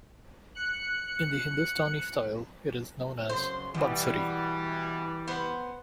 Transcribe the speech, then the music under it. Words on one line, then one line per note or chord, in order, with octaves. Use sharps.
In the Hindustani style, it is known as Bansuri.
F#6 C#7
F#2 C#3 C5 C6
B2 E3 G3
B3 C5